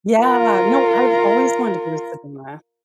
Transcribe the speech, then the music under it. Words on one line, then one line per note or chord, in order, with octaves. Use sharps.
Yeah. No, I've always wanted to go to Sedona.
F4 A#4